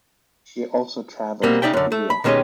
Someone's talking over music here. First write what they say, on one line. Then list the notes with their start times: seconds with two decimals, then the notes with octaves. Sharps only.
She also traveled to India.
1.43 B2 G3 A#3 C4
1.62 C#3 D#4 D5 E5 G5
1.73 F#2 D3
1.92 A3
2.10 B5
2.24 B2 D#3 G#3 C#4 G4 D#5